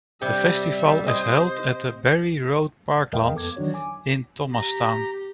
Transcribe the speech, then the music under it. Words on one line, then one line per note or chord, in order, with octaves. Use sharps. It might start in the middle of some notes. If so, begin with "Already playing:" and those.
The festival is held at the Barry Road parklands in Thomastown.
C3 G3 G4 E5
C5 D#5 D#6
E2 G#3 A#4 D#5 F5 G5
F2 B3 A4 D6 G#6
D#3 E3 F#3 D4 F#4 C#5
G#5 D6
G4 A#5